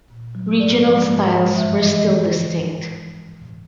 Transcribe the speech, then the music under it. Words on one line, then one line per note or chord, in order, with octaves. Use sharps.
Regional styles were still distinct.
A#2
F#3
G#2 D5
F3 G#3
G#2
F3 G#3
G2 E5
E3 G#3 D#5